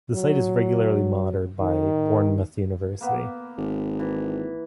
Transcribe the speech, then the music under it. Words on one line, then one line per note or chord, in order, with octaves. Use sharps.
The site is regularly monitored by Bournemouth University.
F#3
D#3
A#3 B3
G#1
E3